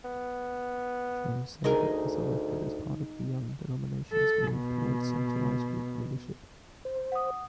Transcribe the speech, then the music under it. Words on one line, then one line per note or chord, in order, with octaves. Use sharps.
John Seybert was elected as part of the young denomination's move towards centralized leadership.
B3
D2 D#4 G#4 A#4
A4
B2
C5
F#5 D#6